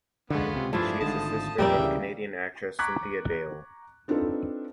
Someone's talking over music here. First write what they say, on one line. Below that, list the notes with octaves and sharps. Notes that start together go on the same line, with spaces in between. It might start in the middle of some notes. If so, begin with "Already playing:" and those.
She is the sister of Canadian actress Cynthia Dale.
D3 G#3 B3 C#4 F4
C#2 C3
G2 F3 A3 D4 E4 F4 G#4
G#1 G#2 D3 F3 A5 D#6
F2 A#2 G3 A#3 D5 E5 G5
D2 C#3 E3
A#5 C#6 D6 F#6 G#6 B6
C4 D4 D#4 F4 A4 B4